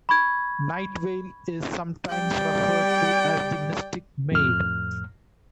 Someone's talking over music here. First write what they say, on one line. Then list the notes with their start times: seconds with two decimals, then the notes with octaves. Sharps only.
Nightveil is sometimes referred to as the Mystic Maid.
0.09 B5 C#6 G#6
2.10 G3 D5 G5
4.32 F2 A2 F6